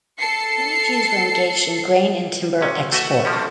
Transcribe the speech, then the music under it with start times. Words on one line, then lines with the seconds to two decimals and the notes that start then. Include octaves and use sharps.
Many Jews were engaged in grain and timber export.
0.20 A4 A5 C7 C#7
2.61 G#1 C3 C#4
2.92 A3 F#4 D#5 E5
3.25 B2 F3 G3 A3 C#4